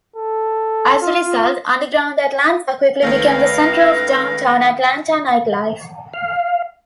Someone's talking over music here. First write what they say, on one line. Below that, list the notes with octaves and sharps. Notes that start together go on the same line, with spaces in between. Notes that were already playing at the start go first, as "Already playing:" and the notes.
As a result, Underground Atlanta quickly became the center of downtown Atlanta nightlife.
A4
F4
C#2 D#3 A3 B4 F5 A#6
F5